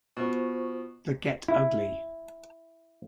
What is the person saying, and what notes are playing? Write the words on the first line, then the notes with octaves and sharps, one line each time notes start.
The Get Ugly!
B2 F4 C5 C#6
E4